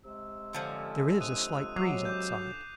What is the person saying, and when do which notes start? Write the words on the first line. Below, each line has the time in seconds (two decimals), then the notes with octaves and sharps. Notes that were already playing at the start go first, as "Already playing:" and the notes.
There is a slight breeze outside.
0.05 C3 G#3 E6
0.53 D3 F3 C#4
1.21 D#6 F#6 D#7
1.76 F#3 D6 C7 F7
2.05 D6 G6